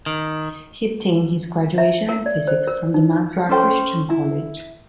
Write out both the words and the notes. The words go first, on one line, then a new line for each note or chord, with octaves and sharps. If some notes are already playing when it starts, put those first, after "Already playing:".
He obtained his graduation in Physics from the Madras Christian College.
D#3
E5
A#4
D5
C5
A#4
D#4
C#4 A4 C5 G5
E4